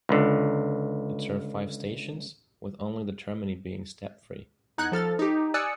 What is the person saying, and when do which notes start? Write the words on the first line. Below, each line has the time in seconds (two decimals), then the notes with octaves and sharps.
It serves five stations, with only the termini being step-free.
0.09 C#2 D3
4.78 E2 D#4 F#5 F#6 G#6
4.92 F3 A4 F6 A6
5.19 D#4 G4
5.54 D5 G#5 D#6 E6 F#6 C#7